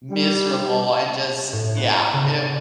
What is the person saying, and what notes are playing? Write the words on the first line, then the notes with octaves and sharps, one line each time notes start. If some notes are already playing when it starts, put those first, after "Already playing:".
miserable and just yeah, it
G3
A2
B3
C#3
A6